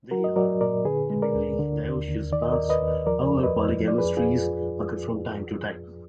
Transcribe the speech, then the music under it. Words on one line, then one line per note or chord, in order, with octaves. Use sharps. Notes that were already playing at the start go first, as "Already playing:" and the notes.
They are typically dioecious plants however polygamous trees occur from time to time.
F#3 F#4 A#4
D#5
F#3 A#4 D5
A#2 A#4 D5
D3 G#4 B4
G#3
A#4 D5
D2
D3
D#2
D#2
D#3 D5
D#5
D#2 A#4 D5
B4 D#5
D#2
F3 A#4 D5
F2
B4 D#5
F2
F3
D5
G#4 B4
F2
F4 G#4
F2